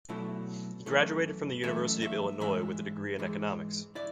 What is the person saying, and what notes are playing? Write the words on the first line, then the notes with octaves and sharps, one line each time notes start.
He graduated from the University of Illinois with a degree in Economics.
B2 F#3 A3 E4
F#2 E3 A3
F#2 E3 A3 E5
E5
G#2 E3 G#3 E5
G#2 E3 G#3
E4 D5